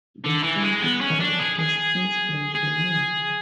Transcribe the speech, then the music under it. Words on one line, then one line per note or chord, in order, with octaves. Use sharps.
The sand drag has since been removed.
D3
E3
G#3
B3
C#4
D4
G#4
G#4
G#4